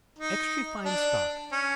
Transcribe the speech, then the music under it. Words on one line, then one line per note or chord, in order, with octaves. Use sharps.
Extry fine stock.
D#4
D4
C#4